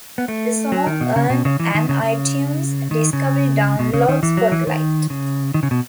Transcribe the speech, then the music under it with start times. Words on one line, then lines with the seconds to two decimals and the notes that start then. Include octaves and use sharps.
The song earned an iTunes "Discovery Download" spotlight.
0.18 B3
0.28 A3
0.72 F#3
0.87 D#3
1.01 B2
1.16 C#3
1.30 B2
1.45 C#3
1.60 E3
1.75 D#3
1.89 C#3
2.03 C#3
2.91 D#3
3.13 C#3
3.79 B2
3.94 C#3
4.08 D#3
4.23 E3
4.37 F#3
4.52 E3
4.67 D#3
5.10 C#3
5.54 D#3
5.63 C#3
5.71 B2